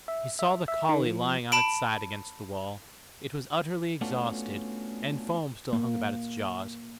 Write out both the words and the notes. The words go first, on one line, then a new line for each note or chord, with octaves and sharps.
He saw the collie lying on its side against the wall; it was utterly exhausted, and foam still hung about its jaws.
E5
E5
E5
D#3
F3
A5 B5 D7
A3 B3 C#4 D4 F4 F#4
A#3